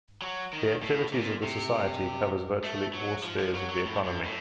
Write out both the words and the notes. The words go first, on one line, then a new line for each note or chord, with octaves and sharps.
The activities of the society covers virtually all spheres of the economy.
F#3
D#3
A2
A#2
C3
A3
F#3
F3
F3
F#3
F#3
A2
F#2
A2